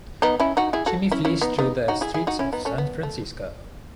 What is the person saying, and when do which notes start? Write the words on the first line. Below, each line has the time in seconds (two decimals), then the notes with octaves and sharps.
Jimmie flees through the streets of San Francisco.
0.22 B3 D#4
0.40 C#4 E4
0.57 D#4 F#4
0.73 E4 G#4
0.86 F#4 A4
1.12 C#4 E4
1.25 C#4 E4
1.41 B3 D#4
1.59 B3 D#4
1.88 D#4 F#4
2.01 E4 G#4
2.14 E4 G#4
2.27 D#4 F#4
2.39 C#4 E4
2.53 B3 D#4
2.65 A3 C#4
2.78 B3
3.03 A3